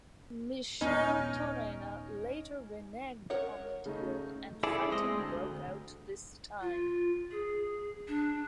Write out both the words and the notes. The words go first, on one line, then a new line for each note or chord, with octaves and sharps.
Micheltorena later reneged on the deal and fighting broke out this time.
D#1 B3 C#4 D#4 A#4
A#4 C#5 F#5
C#3 A3 D#4
E4 G#4 A4 D5
G#3 C4 D#5
D2
F4
G#4
D4